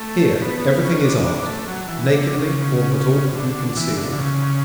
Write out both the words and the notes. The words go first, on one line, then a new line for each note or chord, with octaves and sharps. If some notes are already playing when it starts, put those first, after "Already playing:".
Here every thing is art, nakedly, or but awkwardly concealed.
Already playing: A3
B3
C#4
D4
D4
A3
F#3
E3
D3
D3
C#3
D3
E3
D3
D3
C#3